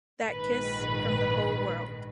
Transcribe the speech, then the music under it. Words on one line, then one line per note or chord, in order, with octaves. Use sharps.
That kiss from the whole world!
A#1 G#2 D#3 B4